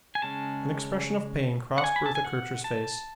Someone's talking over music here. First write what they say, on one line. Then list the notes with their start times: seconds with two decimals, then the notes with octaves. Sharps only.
An expression of pain crossed Bertha Kircher's face.
0.15 G#5
0.22 C#3 G#3 C#4 A5
1.78 F#5
1.84 G#5
1.96 B5
2.06 A5
2.15 G#5
2.25 F#5
2.64 A5